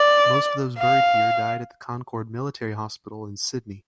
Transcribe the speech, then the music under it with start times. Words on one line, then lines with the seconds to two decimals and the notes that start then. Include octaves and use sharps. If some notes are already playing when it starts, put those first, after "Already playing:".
Most of those buried here died at the Concord Military Hospital in Sydney.
Already playing: D5
0.78 F5